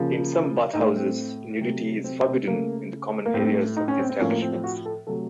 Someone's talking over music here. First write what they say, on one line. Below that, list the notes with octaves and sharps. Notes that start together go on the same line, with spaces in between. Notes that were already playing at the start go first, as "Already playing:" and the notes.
In some bathhouses nudity is forbidden in the common areas of the establishments.
Already playing: C#3 F3 A#3
A2 A3 D#4
C4
C3 F#3 A3
C4
C4
C#3 A3 A#3
A#3
A2 A3 C4
D#4
C#4
C4
C4
A2 F3 A#3 C#4
A#3
C4
C4
F#4
A4
C3 F#3 A3 A4